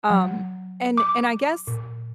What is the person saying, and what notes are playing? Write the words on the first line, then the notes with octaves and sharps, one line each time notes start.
Um, and and I guess
F#3
D6
A#2